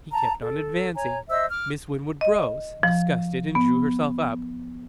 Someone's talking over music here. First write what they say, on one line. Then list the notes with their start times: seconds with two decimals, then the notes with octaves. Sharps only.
He kept on advancing. Miss Winwood rose, disgusted, and drew herself up.
0.12 A5 A#5
0.42 A4
0.95 C#5 G#5 A#5
1.29 C5 D#5 E5 E6
1.50 D6 F6
2.21 D#5
2.83 F3
3.55 B3